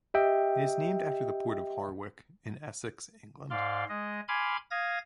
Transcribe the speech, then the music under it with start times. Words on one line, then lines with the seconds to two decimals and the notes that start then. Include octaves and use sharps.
It is named after the port of Harwich in Essex, England.
0.14 G4 D#5 E5 G5
3.50 G#2 D5 F5 C6
3.89 G#3 D#5
4.28 G#5 B5 C6 D6 F6 G#6
4.71 F5 D#6 G#6 A#6